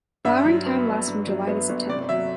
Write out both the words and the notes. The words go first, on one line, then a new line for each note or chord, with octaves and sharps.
Flowering time lasts from July to September.
G2 E5
F#3
B3
G1
G2
F#3
B3
G1
C3 D5
F#3 E5